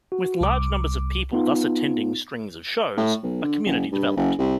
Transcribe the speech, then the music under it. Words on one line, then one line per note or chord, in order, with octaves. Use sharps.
With large numbers of people thus attending strings of shows, a community developed.
F#4
C2 D6
B3 D#4 F4
A2
B1
D3
F#1
G2
F#1
C2